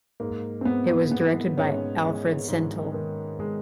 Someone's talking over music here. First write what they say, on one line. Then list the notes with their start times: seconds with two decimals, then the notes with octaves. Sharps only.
It was directed by Alfred Santell.
0.20 G#2 A#3
0.61 C4
0.65 G#2 B3
1.11 G#2 B3
1.57 G#2 C#4
2.03 G#3
2.48 G#2
2.94 D#3
3.40 G#3